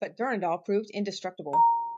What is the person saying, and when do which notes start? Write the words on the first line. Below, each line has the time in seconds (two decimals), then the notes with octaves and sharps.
But Durendal proved indestructible.
1.53 A#5